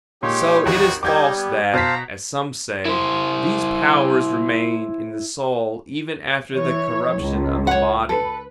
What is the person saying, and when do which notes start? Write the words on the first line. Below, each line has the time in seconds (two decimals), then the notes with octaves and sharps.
So it is false that, as some say, these powers remain in the soul even after the corruption of the body.
0.23 A#2 G#3 D#4 G4 C#5
0.65 A1 D#2 F#4
1.03 G3 D#4 D6 G6 G#6
1.36 B3
1.73 B2 C5 F5 A5 A#5 B6
2.85 E4 C5
6.53 E3 C#5
7.16 C#2
7.67 C#5 F#5
8.09 A4 B4